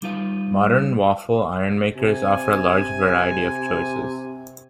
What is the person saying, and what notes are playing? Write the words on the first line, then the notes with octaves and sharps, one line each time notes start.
Modern waffle iron makers offer a large variety of choices.
G3 D#4 F4 B4 F5
C3 G#5